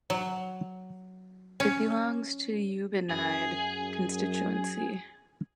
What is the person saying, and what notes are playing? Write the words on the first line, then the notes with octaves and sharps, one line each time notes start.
It belongs to Ubenide Constituency.
F#3
C#4
F#2 G#4